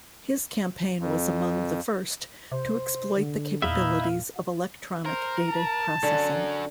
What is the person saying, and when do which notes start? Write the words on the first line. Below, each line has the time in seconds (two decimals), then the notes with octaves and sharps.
His campaign was among the first to exploit the capabilities of electronic data processing.
1.00 F2
2.52 C3 C5
3.17 D3
3.62 E2 A#2 D#4 E4 E5 F5
5.06 A#4 C5
5.47 A5
6.03 D3 F#3 C#4